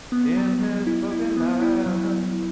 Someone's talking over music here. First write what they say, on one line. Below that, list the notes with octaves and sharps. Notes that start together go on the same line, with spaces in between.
in this fucking life,
B3
F#3
F#3
E4
E4
B3
E4
F#3